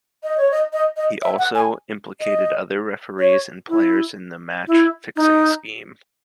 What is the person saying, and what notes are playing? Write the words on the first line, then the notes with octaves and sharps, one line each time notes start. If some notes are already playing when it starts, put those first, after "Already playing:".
He also implicated other referees and players in the match fixing scheme.
D#5
C#5
D#5
D#5
D#5
E5
F#5
G#5
D#5
C#5
E4
E4
D#4